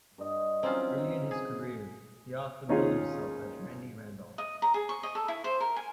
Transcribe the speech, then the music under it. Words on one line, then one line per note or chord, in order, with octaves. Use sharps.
Early in his career, he often billed himself as Randy Randolph.
G2 D#5 F5
E3 F#3 C4 C#4 D#4 F4
G#4
D#2 C#4 D#4 F4 G#4
D#5
A#5
G#4
C#6
D#5
A4
E4
C5
A#4
G#5